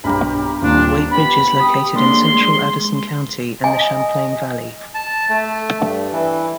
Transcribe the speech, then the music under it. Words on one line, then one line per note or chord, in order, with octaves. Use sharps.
Weybridge is located in central Addison County in the Champlain Valley.
B1 G2 G4 A#4 B5
D#1 A#2 F3 D4
B3 G4 B5
G4 D#6
G#3 A#3 D4 C6
G#3
D#5 G#5
A5
A3
G2
E3